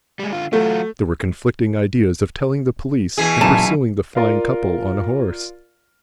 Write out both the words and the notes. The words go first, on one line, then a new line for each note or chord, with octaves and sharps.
There were conflicting ideas of telling the police and pursuing the flying couple on a horse.
G3 G#3
D3 F4
F#3 A3 F4
B2 E3 G#4
B1 F#2 A#2 A5
F4 A#4 D5 F5